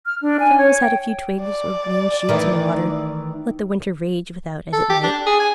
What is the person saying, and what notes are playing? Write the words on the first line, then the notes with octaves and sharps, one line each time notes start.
She always had a few twigs or green shoots in water--let the winter rage without as it might.
F6
D4
G#5
C#5
G5
D5
D#3 E3 A3
A4
G4
D4
G#4
G#5